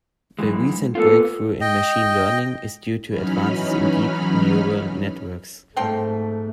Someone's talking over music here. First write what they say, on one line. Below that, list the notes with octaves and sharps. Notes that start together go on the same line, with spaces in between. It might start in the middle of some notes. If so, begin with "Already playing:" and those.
The recent breakthrough in machine learning is due to advances in deep neural networks.
F#2 E3 G#3
A#3 B3 F4 A4
D#5 G5
E3 F#3 C#4 D#4 B5 F6
G#2 F3 A3 C4 G5